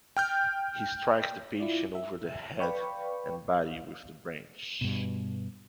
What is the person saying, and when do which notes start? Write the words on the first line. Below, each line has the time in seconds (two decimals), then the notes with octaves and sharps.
He strikes the patient over the head and body with the branch.
0.17 G5 F6 G6
1.60 E4 F4 D5
1.95 E5
2.60 B4 D5 F5 G5 B5 C#6
4.81 G2 B2